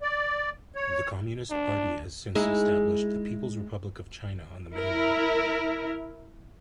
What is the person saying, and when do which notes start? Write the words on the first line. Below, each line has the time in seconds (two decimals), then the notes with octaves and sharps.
The Communist Party has since established the People's Republic of China on the mainland.
0.02 D5
0.75 C#5
1.50 D4
2.35 G#3 D#4 E4
4.74 E4 A#4